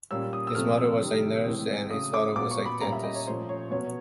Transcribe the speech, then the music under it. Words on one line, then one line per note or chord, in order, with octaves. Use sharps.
His mother was a nurse and his father was a dentist.
A#2 G3 A#3 C#4 E6
D#6
E6
C3 F3 A3 C4 F6
E6
C3 D#3 G3
A2 E3 G#3 C4
C#3 F#3 A3 D#6
D6
A#2 F#3 B3 D6
C#6
B5
A#2 G3 A#3 C#4 A#5
E5
D#5
C#5
A#2 F3 A3 C#4 C5
C#5
B2 F#3 B3 C#5